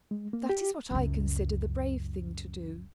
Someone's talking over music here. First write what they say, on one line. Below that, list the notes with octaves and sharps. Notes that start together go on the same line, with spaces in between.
That is what I consider the brave thing to do.
G#3
A#3
G4
C#2 F#2